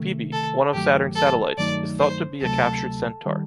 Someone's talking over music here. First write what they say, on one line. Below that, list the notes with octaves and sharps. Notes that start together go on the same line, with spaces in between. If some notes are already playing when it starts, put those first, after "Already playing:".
Phoebe, one of Saturn’s satellites, is thought to be a captured centaur.
Already playing: C3 D#3 A3
A4
G2 D#3 F#3 A3 G4
A4
G2 D#3 F#3 A3 D#4 D5
C5
D2 C3 F#3 A3 A4
D#3 G3